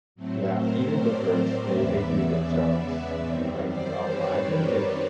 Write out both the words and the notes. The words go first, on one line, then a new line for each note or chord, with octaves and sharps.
Yeah, even with birds, they they do get jealous. Like, I'll I think they get
A2 F#3 A3 C4
A#4 C5
C5 D5
C5 D5
E2 C#3 E3 G#3 B3 D5 E5
F#2 D#3 G3 C4
C5 D5
B4 C#5
A#4 C5